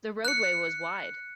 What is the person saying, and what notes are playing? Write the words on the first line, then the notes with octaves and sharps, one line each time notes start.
The roadway was wide.
F#6 C#7